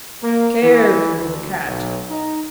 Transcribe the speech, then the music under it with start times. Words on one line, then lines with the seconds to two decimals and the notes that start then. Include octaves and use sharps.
Care killed a cat.
0.23 A#3
0.63 E3
1.16 D2
1.64 B1
2.10 D#4